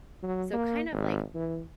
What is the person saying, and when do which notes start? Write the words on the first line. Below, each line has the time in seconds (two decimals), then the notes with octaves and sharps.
So, kind of, like,
0.23 F#3
0.53 A#3
0.92 G#1
1.35 E3